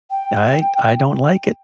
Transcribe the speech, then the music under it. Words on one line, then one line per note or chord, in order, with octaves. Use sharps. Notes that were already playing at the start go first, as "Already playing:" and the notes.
I I don't like it.
G5